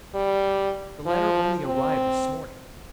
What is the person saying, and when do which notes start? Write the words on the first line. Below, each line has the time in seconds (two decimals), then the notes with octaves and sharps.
The letter only arrived this morning.
0.14 G3
1.06 F3
1.65 C4